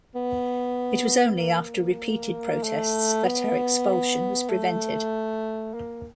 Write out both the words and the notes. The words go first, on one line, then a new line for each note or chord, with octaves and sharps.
It was only after repeated protests that her expulsion was prevented.
B3
A#3
A3
B3
A3
A#3